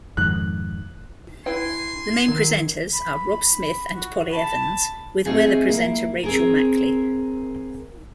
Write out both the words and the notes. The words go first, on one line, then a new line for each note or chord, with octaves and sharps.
The main presenters are Rob Smith and Polly Evans with weather presenter Rachel Mackley.
F2 G#2 D#3 F#6
E4 B4 G5 G#5 C6
D#3 F#3
B5
B5
F#4
A5 B5
A3 A#3 C4 D#4 F4 G#4
A#3 E4
C4 G#4 A#4